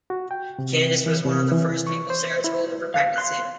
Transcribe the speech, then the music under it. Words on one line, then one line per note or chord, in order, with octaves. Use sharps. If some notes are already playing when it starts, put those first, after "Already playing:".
Candice was one of the first people Sarah told of her pregnancy.
F#4
G5
C3
E3
C3
E3
C#6
C5
E4
F5
F5 C6 F#6